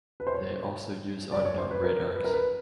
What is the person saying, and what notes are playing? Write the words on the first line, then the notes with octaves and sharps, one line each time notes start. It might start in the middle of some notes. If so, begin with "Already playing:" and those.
They also use unknown radars.
B4
C5
C#5
D5
C#5
C5
B4
A#4
B4
A#4
B4